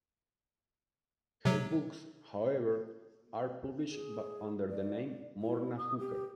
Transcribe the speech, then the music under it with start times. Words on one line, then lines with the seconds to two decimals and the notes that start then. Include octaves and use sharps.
Her books, however, are published under the name Morna Hooker.
1.45 C3 F#3
3.89 G#4
4.70 D5
5.41 E4
5.78 D#6
5.99 G4